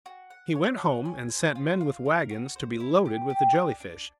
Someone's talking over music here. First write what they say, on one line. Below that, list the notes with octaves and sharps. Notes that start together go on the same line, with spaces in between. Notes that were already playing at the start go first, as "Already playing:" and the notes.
He went home, and sent men with wagons to be loaded with the Jelly-fish.
F#4
F#5
C#5
F#5
G#5
C5
F4
F5
A#4
F#4
C5
E4
G4
G4
D4
D4